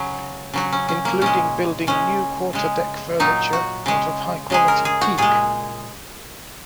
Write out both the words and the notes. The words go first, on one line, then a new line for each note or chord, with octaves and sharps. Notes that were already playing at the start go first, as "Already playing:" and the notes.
Including building new quarter deck furniture out of high quality teak.
Already playing: C#3 F#3
C#3 F#3 F#4
C#4
C#4
A#3
A#2 G#3 C#4
C#3 G#3 C#4
C#3 G#3
A#2 F#3 D#4
F#4
C#3 G#3
C#3 G#3 G#4
A#4
G#4
F#4
A#2 G#3 G#4